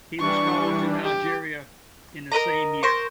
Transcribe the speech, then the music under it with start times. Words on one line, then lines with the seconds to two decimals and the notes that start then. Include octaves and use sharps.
He was called to Algeria in the same year.
0.19 E3 G3 D4 C#6
1.04 G4
2.32 A#4 B4 D#5 A#5
2.83 A#4 C5 C#6